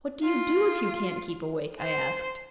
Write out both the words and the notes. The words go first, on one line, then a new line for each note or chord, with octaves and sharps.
"What do you do if you can't keep awake?" I asked.
F4
C5